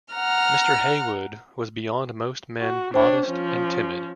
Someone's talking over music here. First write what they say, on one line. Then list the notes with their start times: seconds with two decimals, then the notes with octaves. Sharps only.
Mr. Heywood was beyond most men modest and timid.
0.13 F#5 A#5 F6
2.61 F#4
2.94 D4 C5 C#5 G5
3.26 F3 C#4